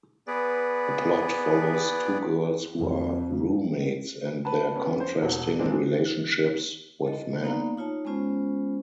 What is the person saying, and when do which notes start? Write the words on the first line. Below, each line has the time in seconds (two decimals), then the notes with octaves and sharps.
The plot follows two girls who are roommates and their contrasting relationships with men.
0.27 B3 G#4 B4 D5
2.78 F2
4.45 B4 A5
4.75 B3 C#4
5.00 C5
5.22 E1 F#4 A4 F#5
5.59 E3 G#3 A#3 C4 D4
7.07 A4 D#5
7.43 A#3 B3 D#4 D5 F5 A#5
7.77 D#4 F4 C#5 A5
8.05 G#3 B3 C#4 F4 C5